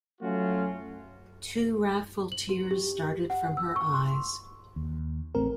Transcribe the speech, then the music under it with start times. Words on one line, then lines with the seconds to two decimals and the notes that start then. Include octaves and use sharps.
Two wrathful tears started from her eyes.
0.21 F#3 A3 C#4 F4 F#4
2.32 F#7
2.49 F#4
2.71 G4
3.30 F#5
3.57 E6
3.76 C#6
3.94 C6
4.76 D#2
5.35 A1 A2 A3 C4 A#4